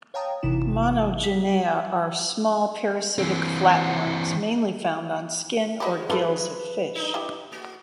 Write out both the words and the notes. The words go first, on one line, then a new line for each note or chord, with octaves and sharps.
Monogenea are small parasitic flatworms mainly found on skin or gills of fish.
C#5 F5 G5 A5 A#5 D#6
G#1 C3 E3 E4 E7
B6
E3 C4
G#3 F4 G4 B4 D#5
E4 A4 B4 C5
D4 D#4
E4 G4
A3 F#4